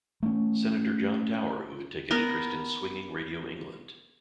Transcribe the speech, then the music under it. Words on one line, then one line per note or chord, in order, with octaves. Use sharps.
Senator John Tower who had taken interest in Swinging Radio England.
A3 C#4
B3 A#4